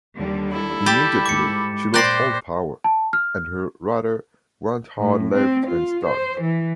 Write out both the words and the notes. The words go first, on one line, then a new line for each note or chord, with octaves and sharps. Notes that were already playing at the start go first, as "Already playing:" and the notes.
Immediately she lost all power, and her rudder went hard left and stuck.
D#2 D3 G3
E4 A4
G3 G4 B5 A6 E7
G#2 D6 C#7
A#2 G4 C5 D5 F#6 A#6 C7
A5
F6
A2
C4
F4
C5
E3